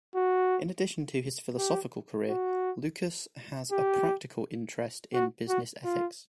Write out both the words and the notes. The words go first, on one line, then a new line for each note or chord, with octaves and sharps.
In addition to his philosophical career, Lucas has a practical interest in business ethics.
F#4
G4
F#4
G4
F#4
F#4
F4